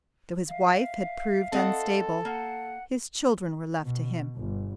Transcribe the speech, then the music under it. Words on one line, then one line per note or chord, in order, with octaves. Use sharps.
Though his wife had proved unstable his children were left to him.
E5 F5
C4 A4 D#5 F#5
A#3 F#5
B2
G1